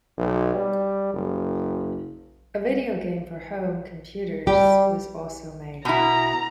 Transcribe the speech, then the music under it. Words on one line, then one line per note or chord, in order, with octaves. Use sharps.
A video game for home computers was also made.
B1
G3
F#1
G3 G4
B2 E4 A#5